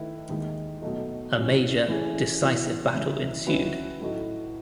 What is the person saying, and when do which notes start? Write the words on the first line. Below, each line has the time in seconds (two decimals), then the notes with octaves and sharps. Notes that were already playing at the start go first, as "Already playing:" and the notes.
A major, decisive battle ensued.
Already playing: D#3 A3 E4 B4
0.29 D#2 D#3 G#3 D#4
0.82 B2 F#3 A3 D#4
1.36 A2 F#3 C#4
1.88 E3 A3 C#4 E4 G#4
2.41 E3 B3 F#4
2.94 C#3 E3 G#3 C#4 E4
3.47 D#3 F#3 C#4 E4 B4
4.00 A2 F#3 A3 D#4 F#4